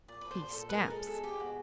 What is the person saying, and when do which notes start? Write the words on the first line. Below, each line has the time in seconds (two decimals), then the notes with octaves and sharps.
He stamps.
0.08 A#2 D5
0.21 F3 B4
0.31 C5
0.41 A#2
0.53 A4
0.58 A#2
0.69 B4
0.74 G#3 A#4
0.90 G#3 A4
1.07 B2 A4
1.24 B3 G4
1.40 B2 F#4